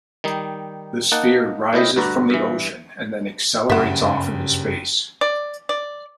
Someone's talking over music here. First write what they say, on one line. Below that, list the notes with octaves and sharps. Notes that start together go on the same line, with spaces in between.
The sphere rises from the ocean and then accelerates off into space.
D#3 G3 D#4
A#3 D#4 F#5 A5
A2 C3 E4 D#5 G5
D2 G2 F#4 B4 D5 A#5
G2 E3
F#1 G2 C#3 G3 E5 F#5 E7
D5
D5